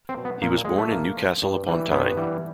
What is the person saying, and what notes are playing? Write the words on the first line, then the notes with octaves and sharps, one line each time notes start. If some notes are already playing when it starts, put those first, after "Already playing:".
He was born in Newcastle-Upon-Tyne.
C4
B2 F#3
B3
A#2 A#3
F3 G#3
A3
A#2 A#3
F3
G2
E3 G3
G2 B3
E3 G3